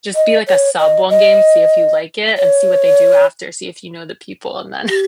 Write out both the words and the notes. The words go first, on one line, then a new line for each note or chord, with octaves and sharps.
just be, like, a sub one game, see if you like it, and see what they do after, see if you know the people, and then
D#5
C#5
D#5
D#5
C#5
G4